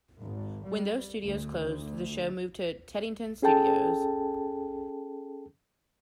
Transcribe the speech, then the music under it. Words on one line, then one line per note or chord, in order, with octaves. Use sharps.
When those studios closed the show moved to Teddington Studios.
G#1
G3
D2
C#4 G#4 A4 G5 A5